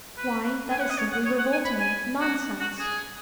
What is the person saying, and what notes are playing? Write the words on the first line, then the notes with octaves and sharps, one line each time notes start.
Why, that is simply revolting, nonsense.
B4
G#5
F#5
D#5
C#5
F#5
C#5
F#5
G#5
B5
G#5
F#4
F#4
G#4